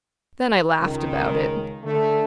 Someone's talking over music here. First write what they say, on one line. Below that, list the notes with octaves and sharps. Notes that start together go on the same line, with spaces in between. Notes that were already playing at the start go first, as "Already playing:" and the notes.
Then I laughed about it.
C#2 D#3
D3 A3